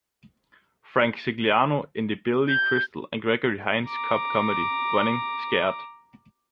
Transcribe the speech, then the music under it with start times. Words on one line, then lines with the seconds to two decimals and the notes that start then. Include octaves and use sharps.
Frank Sigliano in the Billy Crystal and Gregory Hines cop comedy "Running Scared".
2.48 G6
3.87 A#5 D6